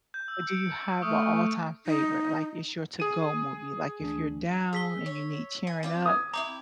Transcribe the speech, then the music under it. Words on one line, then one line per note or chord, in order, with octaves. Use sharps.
but do you have a all-time favorite, like, it's your to-go movie, like, if you're down and you need cheering up
G6
E6
C#7 D7
A3 C#6 D#6 F6
D#4
G#4 D#7
D2 E3 D4
G#4 E6 B6 G7
C#5
G#5
C4 F4 D5
D#6 G#6
C4 D#4 E4 A#5 D6